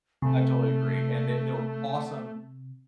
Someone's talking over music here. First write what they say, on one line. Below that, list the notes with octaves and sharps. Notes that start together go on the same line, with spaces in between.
I totally agree and they they were awesome,
C3 A3